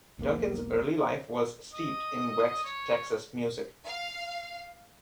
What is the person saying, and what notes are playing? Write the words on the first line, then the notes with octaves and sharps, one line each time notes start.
Duncan's early life was steeped in West Texas music.
E1 B1 A#3
D#5
C#5
F5